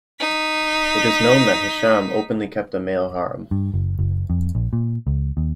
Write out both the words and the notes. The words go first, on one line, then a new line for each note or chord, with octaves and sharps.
It is known that Hisham openly kept a male harem.
D#4 B6
G2
F#1
F#1
F2
A#1
A#2
C#2
D#2